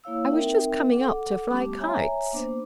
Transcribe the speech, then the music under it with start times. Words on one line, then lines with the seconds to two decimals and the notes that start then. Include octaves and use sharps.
"I was just coming up to fly kites."
0.04 A#3 E4 C#5 F5 E6
0.28 C4 D#4 A#4 E5 G5
0.92 A4 F#5 D6
1.50 G3 A3 B3 C#4 G4 D6
1.80 C#5 E5 G#5 A#5
2.33 A#3 B3 D4 C5 D6